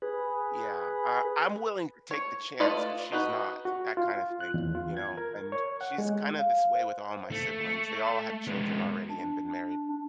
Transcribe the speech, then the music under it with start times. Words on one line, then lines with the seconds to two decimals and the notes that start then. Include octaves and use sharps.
Yeah. I I'm willing to take the chance, but she's not. That kind of thing, you know? And she's kinda this way with all my siblings, they all have children already and been married,
0.02 G#4 B4
2.11 C#5
2.60 A3 F4 B4 D5 D#5
3.12 D#4 F#4 B4
3.65 F#4
3.97 F4
4.40 F#6
4.54 E2
4.75 F4
4.97 G#6
5.17 A#4
5.52 C#5
5.81 F#5
5.98 G#3
6.38 F5
6.75 C5
7.32 A3
8.48 G#3 B3
9.10 D4